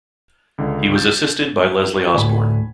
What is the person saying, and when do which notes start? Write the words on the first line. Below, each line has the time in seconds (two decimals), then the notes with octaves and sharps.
He was assisted by Leslie Osborne.
0.58 C#2 D3
0.96 G6 A6
2.14 D2 A2 G#5 B5